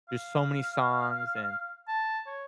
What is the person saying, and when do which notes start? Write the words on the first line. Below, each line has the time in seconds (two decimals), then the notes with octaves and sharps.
there's so many songs, and
0.09 F5
1.88 A5
2.27 C#5